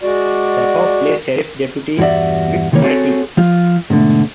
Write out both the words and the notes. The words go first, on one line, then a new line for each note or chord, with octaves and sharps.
Sackhoff plays Sheriff's Deputy Vic Moretti.
G#3 F#4 D5
E2 G2 F#4 D5 E5
C2 D#3 E3 A#3 C#5
C4 F#4 G#4 A4 C#5
F3 F4
G#2 B2 D3 A3